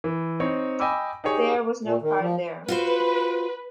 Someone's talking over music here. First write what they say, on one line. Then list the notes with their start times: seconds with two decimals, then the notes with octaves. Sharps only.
There was no pride there...
0.04 E3
0.40 C4 D#4 C#5
0.80 D#5 G5 G#5 B5 D6 E6
1.24 D#4 G4 G#4 C#5
1.85 A#2
2.02 D#3
2.20 F3
2.68 F4 F#4 B4 C5